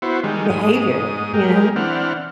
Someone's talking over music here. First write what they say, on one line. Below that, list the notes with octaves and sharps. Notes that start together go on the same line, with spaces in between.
behavior, you know?
B3 E4 F#4 C5
D#3 G3 G#3
G#2 D#6
G#3 G4 A#4
E3 C4 D4 F#5 F6